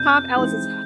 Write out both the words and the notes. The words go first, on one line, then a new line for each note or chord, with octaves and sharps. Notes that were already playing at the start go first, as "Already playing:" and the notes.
Tom Ellis is h
Already playing: F2 C3 B3 G6
E3 G#3 C4 D#4